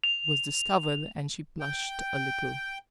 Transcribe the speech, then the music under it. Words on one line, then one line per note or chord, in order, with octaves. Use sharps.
She was discovered, and she blushed a little.
F7
G5